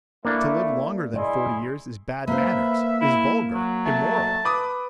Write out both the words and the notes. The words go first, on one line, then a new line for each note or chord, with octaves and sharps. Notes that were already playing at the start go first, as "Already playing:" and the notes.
To live longer than forty years is bad manners, is vulgar, immoral.
A3 A#3 D4 E4
E4 G#4 D5 D#5 C6
A#3 B4 C5 E5
E4
F#3
A3 A5
B4 D6 D#6